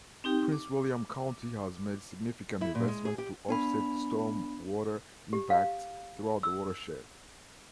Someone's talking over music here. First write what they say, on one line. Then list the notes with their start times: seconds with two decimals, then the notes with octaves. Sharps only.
Prince William County has made significant investments to offset stormwater impacts throughout the watershed.
0.24 C4 D#4 G4 G5
0.52 D6
2.61 E4
2.75 A#2
2.88 G#3
3.05 G#4
3.18 G4
3.49 B3 D4 B5
5.33 G4
5.50 F5
6.43 E6